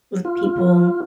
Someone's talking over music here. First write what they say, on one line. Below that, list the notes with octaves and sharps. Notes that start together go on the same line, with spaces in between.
with people
F4